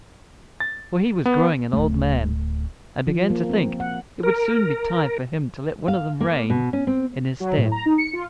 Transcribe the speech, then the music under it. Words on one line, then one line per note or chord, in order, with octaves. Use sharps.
For he was growing an old man, and began to think it would soon be time for him to let one of them reign in his stead.
A6
B3
D1 A3
F3
A#3
C4
F#5
A#4
F5
A#3
B2
C#4
C4
F#3
A2
A#5
D#4
C#7
F4